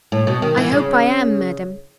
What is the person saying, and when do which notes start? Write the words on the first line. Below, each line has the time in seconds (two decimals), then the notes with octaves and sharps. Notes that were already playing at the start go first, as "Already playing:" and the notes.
"I hope I am, madam."
0.12 A2
0.27 B2
0.42 D#3
0.57 E3
0.72 C#3